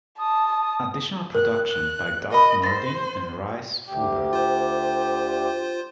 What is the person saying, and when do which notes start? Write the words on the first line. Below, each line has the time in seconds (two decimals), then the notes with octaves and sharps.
Additional production by Doug Martin and Rhys Fulber.
0.19 A5 D#6
1.35 A#4 F#6
1.70 F#6
2.31 A#4 D#5 B5
2.64 C5 A6 A#6
3.87 D2 G4
4.33 F4 C5